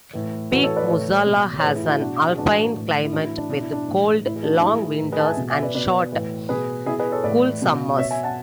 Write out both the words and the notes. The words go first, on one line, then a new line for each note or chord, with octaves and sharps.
Peak Musala has an alpine climate with cold, long winters and short, cool summers.
A2 E3
A2 E3 F#4 A4
A4 C#5
B4 D5
A2 E3 A4 C#5
B2
C#5
A2 E3 G#4 B4
E4
F#4
E4
B2 D4 F#4
G#4
A2 E3 D4 F#4
A2 E3
E4
A2 E3 D4 F#4
E4
D4
B2 D4
E4
D4
A2 E3
A2 E3 E4
G#4
D4 F#4
A2 E3 E4 G#4
A2 E3
G#4 B4
A5
E5 G#5
B2
E5 G#5
B4 D5
B2 B4 D5
A2 E3
B2 G#4 B4
B2 E4 G#4
G#4 B4
A4 C#5
A2 E3 B4 D5
B2
B2 C#5 E5
E5 G#5
F#5 A5